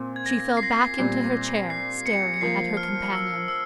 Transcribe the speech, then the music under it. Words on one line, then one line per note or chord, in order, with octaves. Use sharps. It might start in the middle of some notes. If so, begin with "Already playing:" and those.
She fell back into her chair, staring at her companion.
Already playing: A#2 C4
G#6
A#6
C7
A#6
A#2 G3 C4
C7
C#7
C#7
F3 A#3 F4 C7
F6
E6
E6